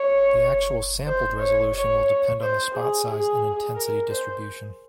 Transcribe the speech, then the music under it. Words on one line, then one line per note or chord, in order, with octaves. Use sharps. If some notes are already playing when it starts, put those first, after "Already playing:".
The actual sampled resolution will depend on the spot size and intensity distribution.
Already playing: C#5
C5
C#5
C#5
C5
G#4
G#4
A#4
C5